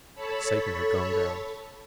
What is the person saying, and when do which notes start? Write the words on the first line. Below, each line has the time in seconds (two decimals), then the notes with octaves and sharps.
Satan had gone down.
0.13 A4 C#5 A5 B5